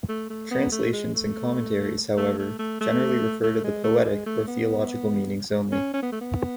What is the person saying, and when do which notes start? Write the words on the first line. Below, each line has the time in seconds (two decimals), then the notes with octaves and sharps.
Translations and commentaries, however, generally refer to the poetic or theological meanings only.
0.09 A3
0.30 A3
0.51 B3
0.72 A3
0.93 G#3
1.14 A3
2.17 A3
2.39 A3
2.59 A3
2.81 A3
3.43 A3
3.64 G#3
3.84 A3
4.05 G#3
4.26 A3
4.48 B3
5.72 C#4
5.94 C#4
6.03 B3
6.12 A3
6.21 B3